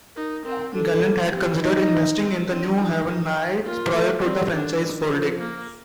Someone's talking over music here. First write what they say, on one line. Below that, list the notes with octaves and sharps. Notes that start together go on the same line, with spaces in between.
Galante had considered investing in the New Haven Knights prior to the franchise folding.
D#4 A#4
C4 A#4
D4 A4
A#3
C4 G4
A#3 D#4
C4
C4 D4
D#4
A#3 F4
A3
G3 C4
D3 D4
D#3
F3
A#3